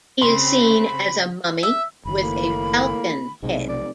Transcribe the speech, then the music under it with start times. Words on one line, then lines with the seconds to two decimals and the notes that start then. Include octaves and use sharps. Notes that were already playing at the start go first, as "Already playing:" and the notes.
He is seen as a mummy with a falcon head.
0.22 C#3 C4 B5 C6
1.63 E5
2.05 F#1 D#3 B5
2.22 A2 A#3
3.43 B1 G#2 C3
3.69 F1 D5